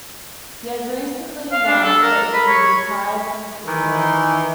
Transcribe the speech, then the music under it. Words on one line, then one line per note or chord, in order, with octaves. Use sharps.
He has recently announced that he retired from football.
F5
D4
A4
A#4
B5
C#5
D#3 E3